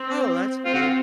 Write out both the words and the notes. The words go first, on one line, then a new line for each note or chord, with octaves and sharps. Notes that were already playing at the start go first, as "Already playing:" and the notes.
Oh, that's cool.
Already playing: C4
C4 F4
F#4
F4